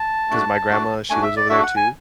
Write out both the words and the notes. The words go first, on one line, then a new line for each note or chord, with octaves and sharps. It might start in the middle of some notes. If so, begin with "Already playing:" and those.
'cause my grandma, she lives over there too,
Already playing: A5
A3 D4 F#4
A3 D4 F#4
A3 D4 F#4 G#5
E5
D5
A3 D4 F#4 E5
F#5
G#5